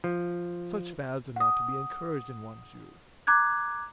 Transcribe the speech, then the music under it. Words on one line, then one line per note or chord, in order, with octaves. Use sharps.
Such fads are not to be encouraged in one's youth.
F3
F#5 D#6
A#5 D6 F#6 G#6